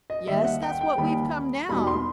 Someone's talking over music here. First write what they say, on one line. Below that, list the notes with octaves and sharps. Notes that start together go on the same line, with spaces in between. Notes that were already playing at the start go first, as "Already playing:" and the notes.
"Yes; that's what we've come down."
D#5
D#2 D#3 G3 E5
F#5
G5
G5
D#2 D#3 G3 B5
E2 B2 G3 D#4 B5
C6